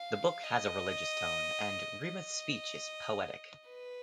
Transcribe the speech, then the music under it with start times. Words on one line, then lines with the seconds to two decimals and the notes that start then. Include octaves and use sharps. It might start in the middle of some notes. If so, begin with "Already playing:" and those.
The book has a religious tone and Rima's speech is poetic.
Already playing: F5
0.44 D#5
2.06 D#5
3.69 B4